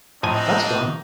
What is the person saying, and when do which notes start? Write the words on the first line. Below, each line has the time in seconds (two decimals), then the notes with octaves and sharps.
That’s done.
0.23 A2 F3 C4 D4 D#4 G#5